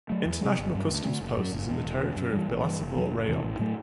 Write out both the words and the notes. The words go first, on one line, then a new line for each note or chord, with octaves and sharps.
International customs post is in the territory of Bilasuvar Rayon.
F#3 A3
E2
C3 F#3
G1
G2 F#3
D2
D3 A3
F#1
F#2 F#3
F#1
E2 B2
E1
E2 B2
F#2
E3 G3
A1
G2 E3
F#1
E2 C3 F#3
F#1
E2 C3 E3
A1
A2 F#3 A3